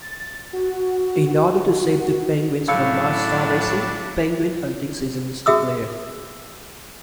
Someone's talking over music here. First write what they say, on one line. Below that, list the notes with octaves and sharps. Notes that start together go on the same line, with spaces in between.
In order to save the penguins from mass starvation, penguin hunting season is declared.
A6
F#4
A2 F#3 C#4 D4 E4 F5 E6 C#7
F#4 G#4 E5 D#6 E6